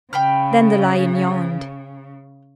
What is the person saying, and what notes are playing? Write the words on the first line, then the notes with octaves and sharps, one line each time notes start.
Then the lion yawned.
C#3 G5 B5 F6